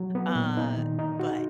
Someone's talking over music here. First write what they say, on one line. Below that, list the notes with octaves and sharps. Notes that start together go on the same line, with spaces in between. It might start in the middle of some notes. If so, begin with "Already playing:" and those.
uh, but,
Already playing: F#3
B3
A#2
D#4
D#3
D#4
F#4